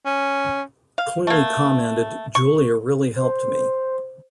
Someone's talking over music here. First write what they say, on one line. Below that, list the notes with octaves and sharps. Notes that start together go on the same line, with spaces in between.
Clooney commented, Julia really helped me.
C#4
F5
A3 A#3
C#6
C5